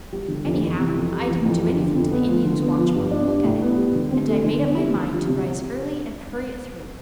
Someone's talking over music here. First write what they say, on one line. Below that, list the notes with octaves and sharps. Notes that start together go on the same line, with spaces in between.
Anyhow I didn't do anything to the Indian's watch more than look at it, and I made up my mind to rise early and hurry it through.
G3
D3
F2
E3
C3
F2
G3
E3
F2
F3
D3
F2
B3
F3
D3
B3
F3
G2
D4
G3
A2
B3
G3
D3
C4
A3
D3
B3
G3
D3
F3
C3